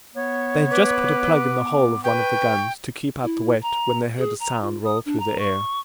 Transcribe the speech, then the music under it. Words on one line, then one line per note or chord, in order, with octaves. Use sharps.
They had just put a plug in the hole of one of the guns, to keep out the wet, when they heard a sound roll through the air.
B3 C#5
B4 D6
B4 G5 C#6
E4
A#5
G#4
A#5
F4
D#6
D4
A#5
C#6